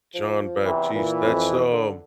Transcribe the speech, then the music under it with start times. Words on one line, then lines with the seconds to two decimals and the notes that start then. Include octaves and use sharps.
Jon Batiste, that's, um
0.15 F3
0.63 E2 C3 E3
0.94 A#2 E3
1.24 F2
1.72 D3